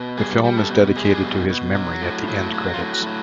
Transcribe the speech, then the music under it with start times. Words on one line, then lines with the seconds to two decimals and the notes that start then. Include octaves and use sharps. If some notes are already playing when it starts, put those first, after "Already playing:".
The film is dedicated to his memory at the end credits.
Already playing: B2
0.17 G3 G#4
0.44 G3
0.57 A4
0.70 B2
0.96 G3 G#4
1.22 B2
1.49 B2
1.75 F#3
2.02 A2
2.28 F#3
2.53 F#3
2.74 F4
2.81 A2
2.94 F#4
3.07 F#3